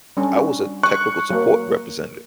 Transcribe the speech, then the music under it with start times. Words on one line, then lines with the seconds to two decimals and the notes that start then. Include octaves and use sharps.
I was a technical support representative,
0.17 G3 C#4 D4
0.36 F#4
0.83 C#6 F#6
1.31 F#3 A#3